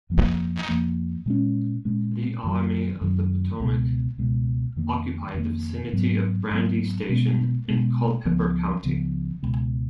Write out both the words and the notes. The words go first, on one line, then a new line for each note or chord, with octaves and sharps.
The Army of the Potomac occupied the vicinity of Brandy Station and Culpeper County.
F2 F3 A#3
F2 F3 A#3
A#2 G#3 C#4
A#2 G#3 C#4
F#2 D#3 F#3
F#2 D#3 F#3
C#2 B2 G#3
C#2 B2 G#3
F2 D#3 A#3
F2 D#3 A#3
G#2 F#3 B3
G#2 F#3 B3
B2 G#3 B3
B2 G#3 B3
C#2 C#3 F3 B3
C#2 C#3 F3 B3
C#2 B2 G#3